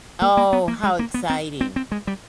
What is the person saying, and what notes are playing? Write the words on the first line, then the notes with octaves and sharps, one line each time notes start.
Oh, how exciting,
A#3
A#3
B3
A#3
G#3
A#3
B3
C4
C4
C4
G#3
G3